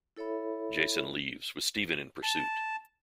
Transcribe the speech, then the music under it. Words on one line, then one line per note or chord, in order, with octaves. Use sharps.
Jason leaves with Steven in pursuit.
E4 A4 C#5 E5 B5
A5